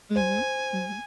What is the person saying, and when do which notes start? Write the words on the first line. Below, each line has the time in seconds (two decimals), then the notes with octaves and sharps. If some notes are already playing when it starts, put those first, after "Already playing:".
Mhm, mhm.
0.16 C5 G#5